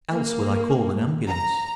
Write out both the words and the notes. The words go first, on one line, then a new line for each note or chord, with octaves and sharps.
"Else will I call an ambulance."
A#3
A#5